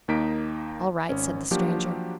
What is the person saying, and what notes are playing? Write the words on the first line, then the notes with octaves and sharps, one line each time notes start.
"All right," said the stranger.
D#2 A#3 D#4 B6 D7
G#1 C#4
F3 F#3 A#3 D4 F#4 G4